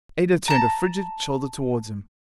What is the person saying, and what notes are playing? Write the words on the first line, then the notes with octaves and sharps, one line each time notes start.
Ada turned a frigid shoulder towards him.
A5 A#5